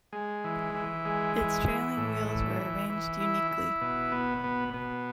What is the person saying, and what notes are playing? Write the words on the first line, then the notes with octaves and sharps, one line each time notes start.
Its trailing wheels were arranged uniquely.
G#3
E3
E3
G#3
E3
E3
A2
E3
E3
E3
E4
E4
B2
B3
B2
B2